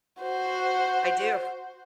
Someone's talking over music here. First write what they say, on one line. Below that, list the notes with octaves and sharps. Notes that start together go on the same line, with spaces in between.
I do.
F#4 C5